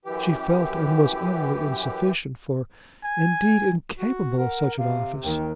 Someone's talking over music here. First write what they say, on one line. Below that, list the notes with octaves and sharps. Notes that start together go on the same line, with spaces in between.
She felt, and was, utterly insufficient for--indeed, incapable of such an office.
F#2 E3 G4
G#5
F#4
A#4 F#5
C3 F5
D#2 D#3 G5